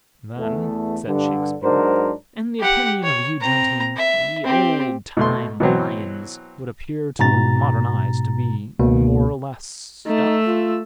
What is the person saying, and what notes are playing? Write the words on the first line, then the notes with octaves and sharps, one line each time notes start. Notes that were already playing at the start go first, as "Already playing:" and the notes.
"Then," said Shakespeare, "in the opinion of you gentlemen, we old-time lions would appear to modern eyes to be more or less stuffed?"
E2 A3
G2 D3
G#2 F#3 D4 A#4 C5
G4 F#5
C#5
C4 A#5
E5
C4 G4
B2 A3 C6
B2 E3 F#3 C4
G#2 B2 A#5 A6
C#2 B2 A#3
A3 D#4 E6
F4